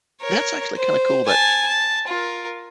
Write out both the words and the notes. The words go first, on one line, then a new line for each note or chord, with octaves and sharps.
That's actually kinda cool that
A#4 C#5
C5
G#5 A5
A5
F4 A#4